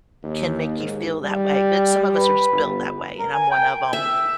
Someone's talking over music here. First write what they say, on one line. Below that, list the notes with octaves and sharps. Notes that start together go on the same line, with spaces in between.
can make you feel that way, but some of us are just built that way and I'm one of 'em,
D#2
G#2
G3
B4
G1
A#4
G#5
G5
E5